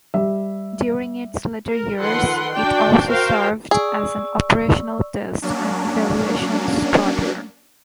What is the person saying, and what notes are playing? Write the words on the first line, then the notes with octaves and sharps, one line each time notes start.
During its later years it also served as an operational test and evaluation squadron.
G3 E5
A#4
D#3 F3 A4 B4 F#5 C6
D4 F#4 D5 G5
F#4 A#4 C5 F5 G5
G#4 D5 C#6 E6
F#3 A#3 C#4 D4